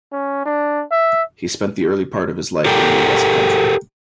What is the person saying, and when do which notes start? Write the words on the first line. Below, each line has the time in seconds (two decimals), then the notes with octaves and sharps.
He spent the early part of his life in the West Country.
0.12 C#4
0.46 D4
0.91 E5
2.65 G4 A4 A#4 G5